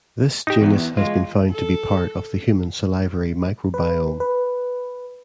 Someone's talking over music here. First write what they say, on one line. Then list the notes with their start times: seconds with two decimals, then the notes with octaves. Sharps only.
This genus has been found to be part of the human salivary microbiome.
0.47 D#4 G4
0.61 E2 E3
0.97 G#3 F4
1.51 A4
3.74 B4
4.20 B4